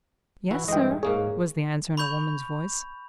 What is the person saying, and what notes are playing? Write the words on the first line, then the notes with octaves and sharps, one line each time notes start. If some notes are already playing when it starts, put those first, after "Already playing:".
"Yes, sir," was the answer, in a woman's voice.
E3 E4 F#4
G2 E3 G#3 D#5 G5
G#2 A#3 G#4 C#5
B5 C#6 G6 F7